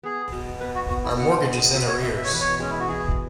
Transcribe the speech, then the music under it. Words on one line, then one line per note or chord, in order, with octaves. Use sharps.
Our mortgage is in arrears.
B3 G#4
B2
B3 B4
F#4
B3 F#4
E4
B2 F#5
G#3
B2 E5
C#5
B3 E5
E5
C#5
E3 B4
C#5
G#3 C#4
E4
F#4
E3 G#4